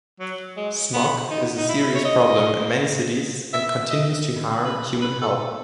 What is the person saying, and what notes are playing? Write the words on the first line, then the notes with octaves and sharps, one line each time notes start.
Smog is a serious problem in many cities and continues to harm human health.
F#3
G#3
B3
D#4
D#4
E4
C#5
D#5
E5
E5
D#5
B4
B4
A4